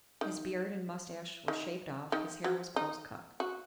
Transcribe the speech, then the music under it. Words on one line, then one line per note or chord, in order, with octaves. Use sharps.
His beard and mustache were shaved off; his hair was close cut.
D#3
D#3
D#3
F#3
D#4
F#4